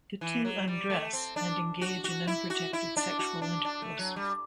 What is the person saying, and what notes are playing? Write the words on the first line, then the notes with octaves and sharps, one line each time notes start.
The two undress, and engage in unprotected sexual intercourse.
E3
F#3
G3
A3
C4
D4
F#4
F#4
E4
F#4
E4
D4
F#4
D4
D4
A3
F#3
G3